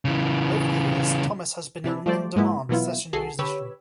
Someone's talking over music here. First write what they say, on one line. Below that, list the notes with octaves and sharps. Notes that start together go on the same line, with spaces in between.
Over the years Thomas has been an in-demand session musician.
C#3 E3
C3 E3 D4 E4
F3 G3 A3 C5 D5
G#2 G#3 A#3 B3 E4
B2 E3 F#3 B3 E4 F4
C2 F#4 G#4 A4 C7
D3 G4 B4 C#5 B5 E6